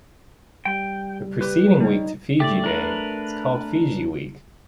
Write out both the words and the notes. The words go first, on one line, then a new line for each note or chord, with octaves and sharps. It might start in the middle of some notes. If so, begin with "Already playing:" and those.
The preceding week to Fiji Day is called Fiji Week.
G3 G5
G3 G4 B4
G3 D#4 C#5
A3 G4 D5 A6
D4 A#4 B4